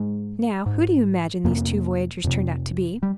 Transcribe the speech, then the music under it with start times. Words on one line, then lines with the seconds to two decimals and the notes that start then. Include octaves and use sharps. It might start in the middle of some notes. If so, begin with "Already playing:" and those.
Now, who do you imagine these two voyagers turned out to be?
Already playing: G#2 G#3
0.66 G#2
1.44 F2 C3 A#3
2.24 F2 C3
3.03 G3